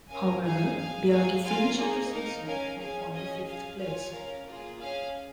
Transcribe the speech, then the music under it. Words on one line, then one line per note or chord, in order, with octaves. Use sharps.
However, Biaggi finished the season in only fifth place.
C#4 A#4 F5 G#5
D#4 G#4 F5 G#5
G#4 F5 G#5
G#4 C#5 F5 G#5
F4 A#4 F5 G#5
A#3 D#4 G#4
D#4 A#4 F5
C#4 A#4 F5 G#5
C#4 G#4 F5 G#5
C#4 G#4 D#5 G#5
G#4 F5 G#5
F4 C#5 F5 G#5
C#4 A#4 F5
A#3 F4 G#4
C#4 G#4 F5 G#5